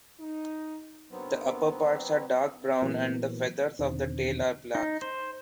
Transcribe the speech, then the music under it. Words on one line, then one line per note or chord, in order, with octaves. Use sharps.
The upperparts are dark brown and the feathers of the tail are black.
D#4
F#1 F#3 B3 C4 D4 A#4
A#2 E3 F#3 A#3 B3
E2 B2 D3 D#3 C4
D#4
C5